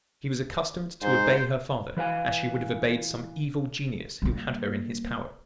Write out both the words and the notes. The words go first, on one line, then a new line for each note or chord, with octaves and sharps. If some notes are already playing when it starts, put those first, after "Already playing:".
She was accustomed to obey her father as she would have obeyed some evil genius who had her in his power.
G#2 C5
E3 B4 F5 G#5
G3 A#3